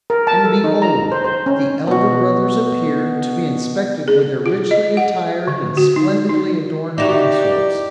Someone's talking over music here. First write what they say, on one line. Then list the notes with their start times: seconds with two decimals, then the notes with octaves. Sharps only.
And behold! the elder brothers appeared, to be inspected with their richly attired and splendidly adorned consorts.
0.10 A#4
0.27 A5
0.44 A4
0.64 D#4
0.82 A#5
1.12 C5
1.24 C5
1.46 C#4
1.87 B2 F#4
4.08 G#4
4.46 F4
4.71 D#5
4.97 F#5
5.48 D3
5.77 F#4
5.96 D#4
6.29 D#4
6.98 D#4 E4 F#4 G4 D5